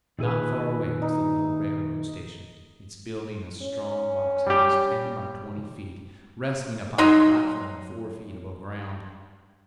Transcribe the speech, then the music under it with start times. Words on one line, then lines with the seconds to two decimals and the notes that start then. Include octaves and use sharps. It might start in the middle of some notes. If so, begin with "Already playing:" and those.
Not far away was the little railroad station, its building a strong box house, ten by twenty feet, resting upon a platform four feet above ground.
0.19 A#2 D#3 E4 G#4 B4 G#5
1.02 D#4
3.62 C#4
4.47 G3 G4
6.98 F#3 D#4 C6